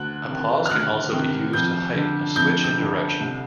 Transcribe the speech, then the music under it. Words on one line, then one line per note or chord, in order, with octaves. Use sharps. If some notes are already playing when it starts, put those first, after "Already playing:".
A pause can also be used to heighten a switch in direction.
Already playing: D2 F#6
C3 D#3
F6
D2 F#6
C3 D#3
F2 G6
D3
F2 G6
G6
D3
C2